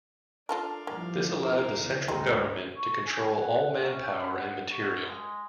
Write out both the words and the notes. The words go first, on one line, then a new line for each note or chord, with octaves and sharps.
This allowed the central government to control all manpower and material.
D4 F4 A4 A#4 F5
G2 E3 F3 A#3
A#4 F5
E2 C#3
D2 G2 C4 D#4
C#6
G#5
F#5
C#4
F#5
F#4
G#3